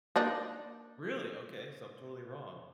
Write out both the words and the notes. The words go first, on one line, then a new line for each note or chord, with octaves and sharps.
Really? Okay, so I'm totally wrong.
A#3 D4 D#4